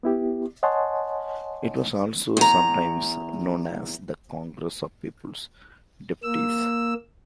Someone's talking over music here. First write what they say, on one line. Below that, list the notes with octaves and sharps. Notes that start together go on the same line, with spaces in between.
It was also sometimes known as the Congress of People's Deputies.
B3 E4 G4
C#5 D#5 F#5 G#5 A5 C6
E2 A#5
A#3 E6